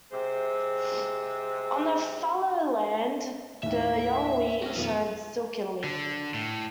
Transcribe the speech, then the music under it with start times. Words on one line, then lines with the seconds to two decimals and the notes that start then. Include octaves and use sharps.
On the fallow land the young wheat shone silkily.
0.11 C3 G#3 C5
3.63 D#2 A2 E5
4.63 C4 C#4 F#4
4.76 B1 F2 B3
5.84 D3
6.34 A2